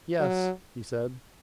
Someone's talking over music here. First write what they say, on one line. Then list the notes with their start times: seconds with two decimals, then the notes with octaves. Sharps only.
"Yes," he said.
0.20 F#3